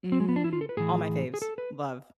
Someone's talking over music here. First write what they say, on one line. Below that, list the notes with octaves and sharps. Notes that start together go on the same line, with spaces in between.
Mm, all my faves. Love.
C4
G#3
B3
D4
E4
F4
A4
B4
A2 E3 G#4
G#4
A4
B4